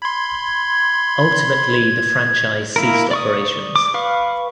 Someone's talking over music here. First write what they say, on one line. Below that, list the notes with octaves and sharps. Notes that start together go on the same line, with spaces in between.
Ultimately the franchise ceased operations.
B5 C6 G#6
A#3 E4 A#4
D5 C#6 D#6
D6
B4 F5 C#6